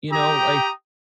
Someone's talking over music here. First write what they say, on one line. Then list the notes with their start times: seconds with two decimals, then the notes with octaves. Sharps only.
you know, like
0.11 G4 G5 A#5 D#6